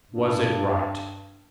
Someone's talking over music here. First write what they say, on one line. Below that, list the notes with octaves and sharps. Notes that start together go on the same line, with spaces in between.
Was it right?
G2